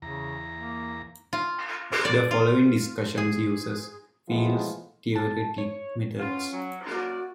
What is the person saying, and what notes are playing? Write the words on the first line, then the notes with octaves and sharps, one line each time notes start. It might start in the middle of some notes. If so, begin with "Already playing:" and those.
The following discussion uses field theoretic methods.
E2 C#3 A#5
A#3
F4
D5
F4
G#4
A2 E3 F3 G#3 B3 F4
A5
C#5
B3 C#4 F4
F#3
F#2 A#3 F#4 D5